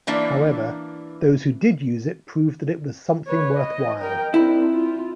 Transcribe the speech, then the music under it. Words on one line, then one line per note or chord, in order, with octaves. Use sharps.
However, those who did use it proved that it was something worthwhile.
E3 A#3 D4 E5
B4 C#5
D#5
A#4 G5
C4 D4 E4
F4